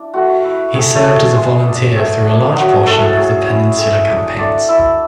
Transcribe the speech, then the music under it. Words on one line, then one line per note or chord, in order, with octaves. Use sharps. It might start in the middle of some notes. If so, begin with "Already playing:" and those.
He served as a volunteer through a large portion of the Peninsular campaigns.
Already playing: D4 E4
A3 F#4
E4
A3 G#4
A3 A4
D4
G#4
G#3
D4
A3 G#4
D4
F#3 F#4
G#4
A3 C#4 E4 A4
G#4
F#3 G#4
C#4 E4
A3 G#4
D4
A3 D4 D5
D4 E4 E5